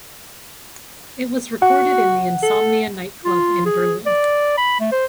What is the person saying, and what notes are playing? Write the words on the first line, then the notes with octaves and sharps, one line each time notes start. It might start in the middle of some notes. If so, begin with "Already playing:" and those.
It was recorded in the Insomnia nightclub in Berlin.
F#4 F#5
A4
F4
G#4
D5
B5
A3
C5